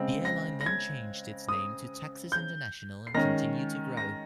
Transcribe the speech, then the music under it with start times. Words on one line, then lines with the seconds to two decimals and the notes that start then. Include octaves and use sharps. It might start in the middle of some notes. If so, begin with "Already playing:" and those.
The airline then changed its name to Texas International and continued to grow.
Already playing: C#3 G#3 C4
0.25 A#6
0.61 A#6
0.66 G#6
1.49 D#6
2.32 G6
3.07 C7
3.15 D#3 G#3 C#4 A#6
3.97 A#6